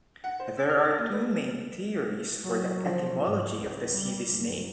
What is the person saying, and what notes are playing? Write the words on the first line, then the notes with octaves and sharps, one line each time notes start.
There are two main theories for the etymology of the city's name.
F#5
C5
E6
F6
A6
D#2
B4
F#3
F3
G#2
C#2
G3
F#1